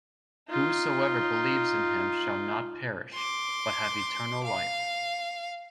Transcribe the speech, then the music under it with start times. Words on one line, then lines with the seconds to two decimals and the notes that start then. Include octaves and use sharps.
Whosoever believes in him shall not perish, but have eternal life.
0.49 D#4 F4
3.13 C6 D6
4.45 F5